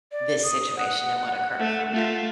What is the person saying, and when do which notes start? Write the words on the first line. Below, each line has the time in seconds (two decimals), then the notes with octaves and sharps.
this situation and what occurred from it.
0.12 D5
0.43 D#6
0.77 F#5
1.60 A3
1.93 A3 F4